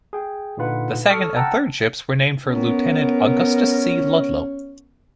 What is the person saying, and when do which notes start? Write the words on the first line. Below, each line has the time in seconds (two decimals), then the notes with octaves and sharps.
The second and third ships were named for Lieutenant Augustus C. Ludlow.
0.13 G#4 G5
0.57 A#2 D3 D#4 F4 B4 F#5
1.10 A4 C#6 D#6 F6
1.36 F#5 G5 A5 A#5 E6 F6
2.46 B3 C#4 A#4